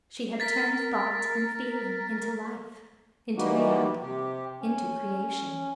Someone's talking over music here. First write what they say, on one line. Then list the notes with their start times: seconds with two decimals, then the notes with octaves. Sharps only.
She had turned thought and feeling into life, into reality, into creation.
0.40 A#4 A6 B6
3.37 E3 G3 A#3 D#4 F#4 G4
4.02 C3 G4
4.61 C#4